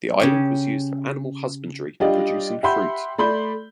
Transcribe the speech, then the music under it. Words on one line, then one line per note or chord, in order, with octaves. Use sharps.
The island was used for animal husbandry and producing fruit.
C#3 C#4 G4
G3 D4 F4 G4 D5 D#5
G4 E5 F#5 B5 C6 G6
A3 D5 B5 C6 G6 G7